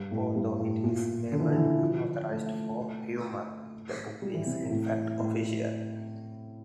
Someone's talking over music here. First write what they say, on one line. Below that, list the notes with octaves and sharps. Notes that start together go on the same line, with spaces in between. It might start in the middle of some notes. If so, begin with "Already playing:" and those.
Although it is labeled "Unauthorized" for humor, the book is in fact official.
Already playing: G2
A2
G2
A2
A#2
D3
E3
D3
E3
F3
A3
G3
E3
C3
A2
A2